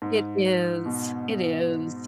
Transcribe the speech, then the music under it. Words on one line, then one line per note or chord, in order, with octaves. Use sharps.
It is. It is.
G#2
B2